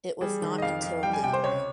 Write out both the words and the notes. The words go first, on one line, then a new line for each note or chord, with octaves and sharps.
It was not until later.
G3 G#4
D#3
D#5
F2 F5
F2
G3 G5
G#5
C3 G5
C5
C#2 C#5